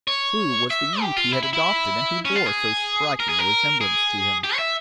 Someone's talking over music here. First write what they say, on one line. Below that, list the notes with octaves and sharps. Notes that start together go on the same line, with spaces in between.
Who was the youth he had adopted and who bore so striking a resemblance to him?
C#5
E5
G4
F4
E4
E4
E4
C#4
F4
G#4
A#4
G#4
A#4
G#4
G4
C#5
E5